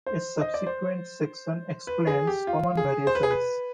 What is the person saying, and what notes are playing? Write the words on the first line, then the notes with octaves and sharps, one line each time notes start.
A subsequent section explains common variations.
C5
D#5
D5
C5
B4
G#4
G4
F4
G#4
C5
B4
G#4
B4